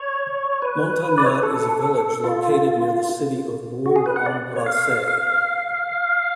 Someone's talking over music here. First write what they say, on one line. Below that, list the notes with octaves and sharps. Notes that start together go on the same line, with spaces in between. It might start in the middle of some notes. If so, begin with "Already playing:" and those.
Montagnat is a village located near the city of Bourg-en-Bresse.
Already playing: C#5
B4
D5
C#5
B4
A4
F4
F#4
G#4
B4
F#5
D5
C#5
F5
F5